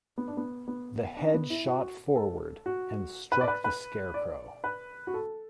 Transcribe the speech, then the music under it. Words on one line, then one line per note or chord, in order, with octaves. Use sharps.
The Head shot forward and struck the Scarecrow.
B3
D4
B3
B3
D4
B3
E4
F#4
A4
F#4
B4
D5
B4
B4
D5
B4
F#4
A4